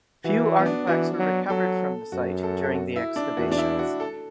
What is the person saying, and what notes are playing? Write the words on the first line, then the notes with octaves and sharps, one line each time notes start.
Few artifacts were recovered from the site during the excavations.
E3 F#4
F#4
B3
D4
E3 F#4
F#3
F#3 A4
F#2 F#4
A4
A4
F#4
E4
D4
E2 F#4
D4
E4
F#4
A4